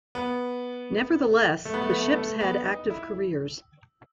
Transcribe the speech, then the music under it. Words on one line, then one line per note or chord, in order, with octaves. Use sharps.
Nevertheless, the ships had active careers.
B3
A3
B3
A3
B3
A3
B3
A3
B3
D#4
E4